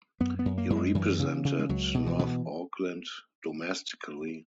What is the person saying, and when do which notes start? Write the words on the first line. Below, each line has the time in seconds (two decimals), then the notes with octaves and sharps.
He represented North Auckland domestically.
0.20 F#2 B3
0.39 B3
0.45 F#2
0.58 A#3
0.70 F#2
0.76 G#3
0.95 F#2 E3
1.19 C#3
1.45 C#3
1.59 G#3
1.69 C#2 F#3
1.94 B2
2.07 E3
2.19 B2 B3